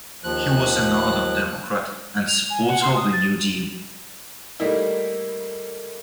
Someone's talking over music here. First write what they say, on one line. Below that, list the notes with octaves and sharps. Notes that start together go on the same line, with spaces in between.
He was an ardent Democrat and supporter of the New Deal.
D#2 F3 F#6
F7
G#5
F#5
C6
D#6
A6
G3 A3 A#3 D#4 E4